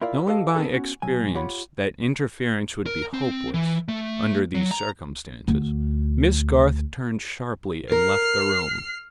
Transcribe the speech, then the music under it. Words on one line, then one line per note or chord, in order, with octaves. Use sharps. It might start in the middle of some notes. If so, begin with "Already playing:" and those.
Knowing by experience that interference would be hopeless, under these circumstances, Miss Garth turned sharply and left the room.
E4 F4 A#4 D5 F5
G4 A4 B4 D#5 F5 A5
B3 C4 D4 G#4 A4
B3 C#4 F#4
B2 F#3 G#5
F4 G4 C#5 F#5 B5
A#4
C4
E3
A3
F#3
A#5
D2 A3
A#4 F6 C7